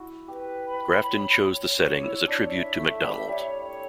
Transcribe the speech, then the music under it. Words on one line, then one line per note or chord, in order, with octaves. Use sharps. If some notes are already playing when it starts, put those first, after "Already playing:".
Grafton chose the setting as a tribute to Macdonald.
Already playing: E4 F#4
G4 B4
B5
C#5
C#5
F#4 C#5
E4
C#5
D4
E5
A3
E5
G3
G3 C#5
C#5